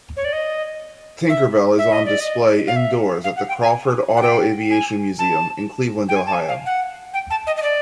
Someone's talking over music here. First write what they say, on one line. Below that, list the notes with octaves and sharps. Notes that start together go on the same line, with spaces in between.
"Tinkerbelle" is on display indoors at the Crawford Auto-Aviation Museum in Cleveland, Ohio.
C#5
D5
D#5
E5
E5
D#5
D5
D#5
F5
E5
F5
F#5
G5
G#5
F#5
G5
G#5
A5
G5
G#5
A5
G#5
F5
F#5
G5
A5
D#5
D#5
D5